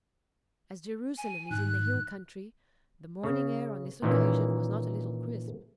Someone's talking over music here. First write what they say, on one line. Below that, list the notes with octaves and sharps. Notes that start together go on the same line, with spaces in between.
As Jerusalem is in the hill country, the morning air on this occasion was not a little crisp.
G#5
G#2 D#3 F#6
C#3
A#2 D#3 E3 A#3 C#4